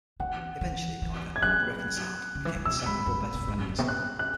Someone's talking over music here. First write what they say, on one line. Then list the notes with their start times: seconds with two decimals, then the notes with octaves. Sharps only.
Eventually, however, they reconciled and became inseparable best friends.
0.20 E3 F#5
0.61 E3
1.02 E3
1.36 G#6
1.43 F#3 F#6
2.35 C#3
2.45 E3
2.56 E3
2.65 B2 E6
2.86 G#2 B5
3.06 F#2
3.20 G#2
3.34 B2
3.48 G#2
3.58 F#2
3.69 F#2
3.78 B2
3.88 F#6
4.19 F#6